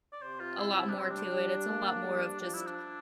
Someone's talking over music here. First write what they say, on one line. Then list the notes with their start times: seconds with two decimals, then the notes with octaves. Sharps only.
a lot more to it. It's a lot more of just"
0.12 D5
0.22 C3 C5
0.40 F4
0.59 E4
0.77 E4
0.89 D4
0.95 G3 C4
1.11 D4
1.32 G3
1.68 A#3
2.05 G3
2.41 F3 D4
2.54 E4
2.66 D4